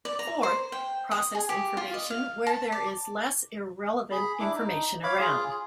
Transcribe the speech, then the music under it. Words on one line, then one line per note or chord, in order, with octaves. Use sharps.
Fourth, process information where there is less irrelevant information around.
D5
A#5
C5
G5
D#6
G#4
G4
F4
D#5
F5
A5
D5
G#4 B5
D4 E4 D6
D#4
C#5 F5 B5 D6
F4 G#4
G#4